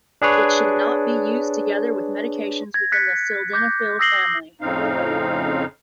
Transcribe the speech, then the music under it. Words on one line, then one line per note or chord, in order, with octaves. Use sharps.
It should not be used together with medications within the sildenafil family.
D4 G#4 B4 C#5
G#6 A#6
F#6 A6 B6 C#7
D6 G6 A#6
D#6 E6 A#6 C7 F#7 G7
F2 A2 C#3 C4 D#4 F5